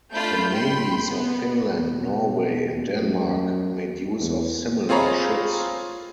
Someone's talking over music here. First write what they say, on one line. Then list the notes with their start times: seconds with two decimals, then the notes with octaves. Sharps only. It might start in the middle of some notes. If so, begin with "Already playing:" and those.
The navies of Finland, Norway, and Denmark made use of similar ships.
0.12 A3 D4 F4 B5 G6
0.52 G5 B5 C6
1.10 B3
1.89 B2
2.97 F#2
4.20 E2
4.89 C4 F4 G#4 C#5 A#5 B5